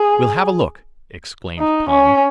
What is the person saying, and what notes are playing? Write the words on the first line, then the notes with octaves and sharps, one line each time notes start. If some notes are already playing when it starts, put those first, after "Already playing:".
"We'll have a look!" exclaimed Tom.
Already playing: G#4
D#4
C#4